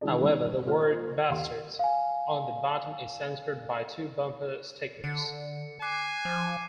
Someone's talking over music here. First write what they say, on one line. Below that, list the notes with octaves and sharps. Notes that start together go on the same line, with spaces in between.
However, the word 'Bastards' on the bottom is censored by two bumper stickers.
D#3 E3 G3 D4 G#4 D5
D#3 G3 B3 C#4 D#4
A#2 C5 F6
D#2 G4 F5 F#5 C6
F5 G#5
D3 C#7
G#5 D6 F#6 C7
F3